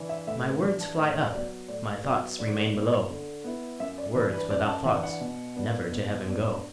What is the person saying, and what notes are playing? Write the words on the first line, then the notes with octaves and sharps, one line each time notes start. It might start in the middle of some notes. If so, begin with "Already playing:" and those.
My words fly up, my thoughts remain below: Words without thoughts never to heaven go.
Already playing: E3 D4
E5
A2 E5
B4
E3 D4 D5
A5
A2 F#5
F#3 B3 D5
A2 D5
F#3 B3 D5
D3 D5
B3 E4
D3
B3 E4
F#2 E5
D5
E3 D4 B4
B4
F#2 D5
A5
E3 D4 F#5
F#5
B2
B3 D4
B2
B3 D4